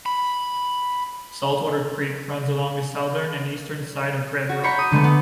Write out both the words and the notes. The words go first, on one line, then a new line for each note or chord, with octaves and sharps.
Saltwater Creek runs along the southern and eastern side of Redruth.
B5
F#4
C#5 A#5 B5 G6 C#7
D#6
D3 G#3 A3 B3
B3